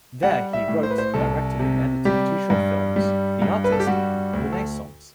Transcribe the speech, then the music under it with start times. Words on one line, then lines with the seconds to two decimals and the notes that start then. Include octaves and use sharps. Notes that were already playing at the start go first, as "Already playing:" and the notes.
There he wrote, directed and edited two short films, "The Artist" and "Renaissance".
0.23 G3 F#5
0.53 E5
0.68 A2
0.83 C5
0.91 B4
0.98 C5
1.14 C2 A4
1.59 C3
2.05 G3 G4
2.50 G2
2.96 G3
3.42 G2
3.64 B4
3.72 A4
3.80 G4
3.87 G3 F#4
4.33 D2
4.52 A4